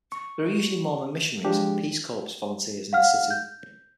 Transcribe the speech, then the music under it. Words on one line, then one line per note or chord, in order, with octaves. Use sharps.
There are usually Mormon missionaries and Peace Corps volunteers in the city.
C#6
F3 G#3 D4 G4 G#4
F5 F#5 F6
G6